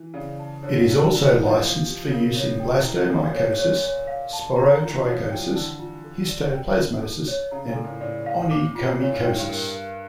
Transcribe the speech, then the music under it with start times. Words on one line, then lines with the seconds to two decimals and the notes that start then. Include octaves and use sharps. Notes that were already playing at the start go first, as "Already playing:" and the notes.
It is also licensed for use in blastomycosis, sporotrichosis, histoplasmosis, and onychomycosis.
Already playing: E3
0.14 C#3 D5
0.39 A5
0.63 D3 C#5
0.77 C#3
0.87 D3 D4
1.12 D3 F4
1.29 E3
1.37 A#4
1.46 F3
1.62 F5
1.87 G4
2.11 C#3 A#4
2.36 C#5
2.60 G5
2.84 E4
3.09 A#2 A4
3.33 C#5
3.58 C#5
3.83 C#5
4.07 F5
4.33 A5
4.56 D3 A#5
4.81 E3 F4
5.06 F3 C#5
5.18 G3
5.31 F3 G5
5.42 E3
5.55 D3 A5
5.79 F4
6.04 A4
6.28 D5
6.54 G5
6.78 E4
7.03 A4
7.28 C#5
7.51 C#3 A#5
7.69 A#2
7.76 A4
7.84 A2
8.01 A2 D5
8.26 F5
8.51 D6
8.75 F4
8.99 A#2 C#5
9.12 A2
9.24 G2 G5
9.37 G2
9.49 A#4
9.74 A#4